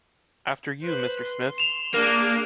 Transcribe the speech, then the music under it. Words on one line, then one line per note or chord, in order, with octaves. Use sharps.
After you, Mr. Smith!
B4 C5
C6
E7 F7
A#3 D4 G#4